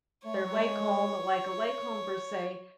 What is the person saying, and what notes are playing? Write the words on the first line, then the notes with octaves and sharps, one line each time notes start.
their lake home like a lake home per se,
A3 C#5
G#3
F#3
G#3